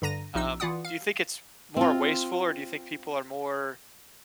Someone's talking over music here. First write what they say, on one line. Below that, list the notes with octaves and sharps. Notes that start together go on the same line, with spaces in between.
um, do you think it's more wasteful or do you think people are more
G2 D3 A#5 A#6 D#7
A#1 D#4 E6
E3 F4 D5 F#5 D#6
F5
C4 F4